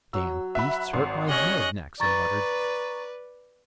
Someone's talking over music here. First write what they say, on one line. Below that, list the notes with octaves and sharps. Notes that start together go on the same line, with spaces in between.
"Dam' beasts hurt m'head," Naxa muttered.
F#3 E6
E5 F#5 B5
G#1 C5
C#4 G4 C#5 D#5 F#6
B4 D5 A#5 C#6 A6